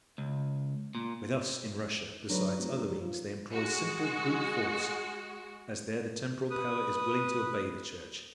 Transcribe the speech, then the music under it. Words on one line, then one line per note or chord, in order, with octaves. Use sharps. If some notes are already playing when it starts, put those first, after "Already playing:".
With us in Russia, besides other means, they employ, simple brute force, as there the temporal power is willing to obey the Church.
C#2
A#2
D3 F#3 D#4 B4
F1
G2
F3
G#3 F#4
B4 D#6